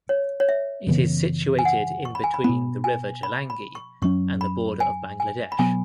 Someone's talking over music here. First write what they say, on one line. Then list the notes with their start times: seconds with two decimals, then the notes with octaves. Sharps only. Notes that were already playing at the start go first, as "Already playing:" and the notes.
It is situated in between the river Jalangi and the border of Bangladesh.
0.09 C#5
0.40 C#5
0.49 E5
0.87 F#2 C#3 E3 B3
1.59 G#5
1.65 F#5
2.05 C#6
2.15 B5
2.24 G#5
2.34 B5
2.44 B2 B3 B5
2.84 G#5
3.23 B5
3.50 B5
3.75 C#6
4.02 F#2 F#3 C#4 C#6
4.41 B5
4.80 G#5
5.20 G#5
5.52 B5
5.59 B2 F#3 B3 G#5